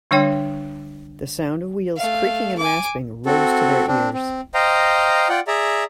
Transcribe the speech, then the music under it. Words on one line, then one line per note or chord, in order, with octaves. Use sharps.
The sound of wheels creaking and rasping rose to their ears.
D3 G3 D4 C#5 G5
A3 F5
G#5 D6
C4 F#4 A4
C4 D4
C4
C5 D#5 F5 G5 A#5
F4 D5 F#5 G5
G#4 D5 E5 A#5